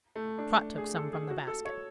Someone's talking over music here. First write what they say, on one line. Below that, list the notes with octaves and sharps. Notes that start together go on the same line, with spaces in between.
Trot took some from the basket.
A3
D4
G#4
A4
G#4
F#4
A4
C#5